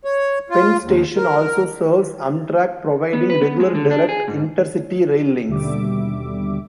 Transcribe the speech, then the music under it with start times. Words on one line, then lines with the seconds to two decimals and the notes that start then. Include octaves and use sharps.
Penn Station also serves Amtrak, providing regular direct inter-city rail links.
0.04 C#5
0.50 F4
0.83 D#2
1.16 A#4
3.13 B3
3.30 B4
3.41 B3
3.60 G#3
3.75 D3
3.91 D4
4.09 G#4
4.28 G#2
5.48 D#2 B2 D3 G3 E5 D6